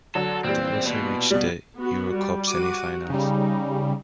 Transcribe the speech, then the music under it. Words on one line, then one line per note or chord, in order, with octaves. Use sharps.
They also reached the EuroCup semifinals.
D3 F#3 A4
A#2 E3 G3 C4
B2
B2 G3
B3 F#4
G3
F#4 D6 D#7
C#3 G3 D#4